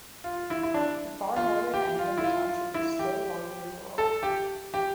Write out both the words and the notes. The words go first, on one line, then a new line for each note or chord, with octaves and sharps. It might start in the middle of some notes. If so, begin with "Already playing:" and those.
The far northern end of the township is still largely rural.
F4
E4
E4
D4
F4
G4
F4
E4
F4
F4
E4
G4
A4
G4
G4